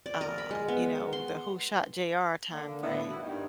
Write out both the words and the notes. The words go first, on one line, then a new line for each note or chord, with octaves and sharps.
uh, you know, the "who shot J.R." time frame.
D5
A#4
B5
G#3
B3
C6
D3 A#3
A2 B3 D4 E4
E4 F#4
G2 D#3